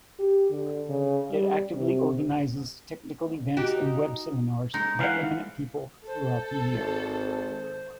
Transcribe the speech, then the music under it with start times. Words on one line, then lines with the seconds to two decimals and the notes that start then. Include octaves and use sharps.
It actively organizes technical events and web seminars by eminent people throughout the year.
0.19 G4
0.51 D3
0.89 C#3
1.30 G3
1.75 C3
3.57 D#4 F#4 G4
4.74 G#3 D#4
4.99 E3 F5 F#5
6.07 A4 C5
6.74 G#1